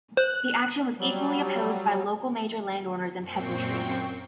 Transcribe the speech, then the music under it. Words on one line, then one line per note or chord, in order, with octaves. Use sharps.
The action was equally opposed by local major landowners and peasantry.
C5 F#6
F#3 G3
F#2 A#2 C4 G5 C#6 C7